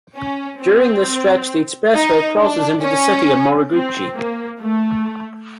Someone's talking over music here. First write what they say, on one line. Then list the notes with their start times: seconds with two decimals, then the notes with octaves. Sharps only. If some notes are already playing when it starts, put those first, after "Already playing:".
During this stretch the expressway crosses into the city of Moriguchi.
0.16 C#4
0.61 C4
1.93 D#4
2.38 D4
2.82 C#4
3.72 C4
4.15 A#3
4.60 A3